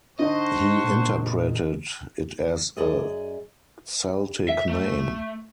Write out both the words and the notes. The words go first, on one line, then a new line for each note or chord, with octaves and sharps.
He interpreted it as a Celtic name.
D3 D#4 C5 D#5 F#5 A5 C#6
A#2
F#2 G#4 D5 D#5
E5
A3